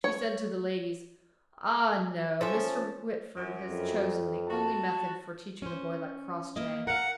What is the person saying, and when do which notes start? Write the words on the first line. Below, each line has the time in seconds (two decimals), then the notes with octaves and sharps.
She said to the ladies, "Ah, no! Mr. Whitford has chosen the only method for teaching a boy like Crossjay."
0.04 C#5
2.41 F3 C#4 A4 E5
3.36 F#2
3.69 F2
4.47 F#4 A5
5.62 C#4 C5
6.56 A#3 E4 D#5
6.87 A#4 F5 F#5